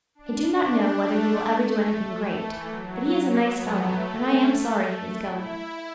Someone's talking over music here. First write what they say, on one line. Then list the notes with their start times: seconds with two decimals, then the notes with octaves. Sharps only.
I do not know whether he will ever do anything great, but he is a nice fellow, and I am sorry he is going.
0.15 D4
0.46 D4
0.77 A3
2.34 E3
2.66 F#3
3.28 B3
3.60 A3
5.17 E4